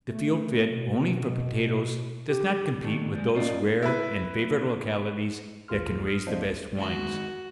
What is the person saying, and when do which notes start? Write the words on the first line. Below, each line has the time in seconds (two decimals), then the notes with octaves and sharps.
The field fit only for potatoes does not compete with those rare and favored localities that can raise the best wines.
0.09 A3
0.70 B2
2.28 G4
2.83 D3 D#3 A3
3.15 G3 G#3
3.35 A#3 C#4 F4 D5 D#5
3.82 E4 B4
5.68 A1 D#2 F4 G#4 C6 F6
6.05 D#6 F6
6.27 F3 A#3 C4 D4 C5 D#5
6.43 A#1
6.78 G#2 D#3 F#4